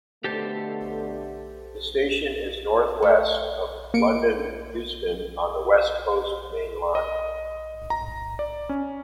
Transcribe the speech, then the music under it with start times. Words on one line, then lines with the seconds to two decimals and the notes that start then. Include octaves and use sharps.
The station is north west of London Euston on the West Coast Main Line.
0.24 B2 D3 A3 G4 A4 C5
3.03 A3
3.94 A#3 C#7 D7
6.95 D#5
7.90 A#5
8.39 D5
8.69 C#4